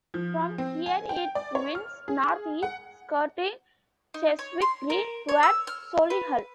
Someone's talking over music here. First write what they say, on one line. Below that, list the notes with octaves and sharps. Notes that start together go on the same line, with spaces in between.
From here it winds north east, skirting Cheswick Green, towards Solihull.
F3
C4
G#5
G5
D5
C#5
F6
G#4
F#5
D#4
C#5
C6
A#4
C#5
E6
F6
B4